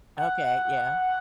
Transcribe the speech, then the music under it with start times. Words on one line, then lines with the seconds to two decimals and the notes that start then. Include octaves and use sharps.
Okay, yeah.
0.18 F#5
0.47 F#5